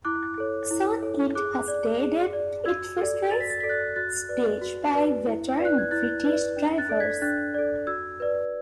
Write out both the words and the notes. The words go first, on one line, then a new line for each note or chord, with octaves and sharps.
Soon, it hosted its first race, staged by veteran British drivers.
E4 D6 F#6
A4 C#5
E4
A4 C#5
G#4 D6 F#6
D5
G#4
D5
F#4 E6 G#6
A4 D5
F#4 A6
B6
A6
A4 D5 B6
F#6 A6
F#4 F#6 A6
B4 D5
F#4
B4 D5
E4
B4 D5
F#6
G#6
E4 F#6 A6
B4 D5
D4
F#6 A6
A4 D5
G#6 B6
D4 F#6 A6
A4 D5
F#4 E6 G#6
B4 D5